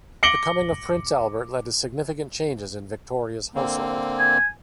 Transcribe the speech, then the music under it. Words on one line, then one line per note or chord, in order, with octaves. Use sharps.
The coming of Prince Albert led to significant changes in Victoria's household.
D6 A#6 C#7 D7 F#7 G7
D3 A#3 C4
G#5